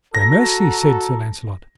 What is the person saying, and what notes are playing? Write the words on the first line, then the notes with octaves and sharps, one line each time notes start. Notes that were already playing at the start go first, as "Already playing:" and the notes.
Gramercy, said Sir Launcelot.
F#4 A4 A#5 A#6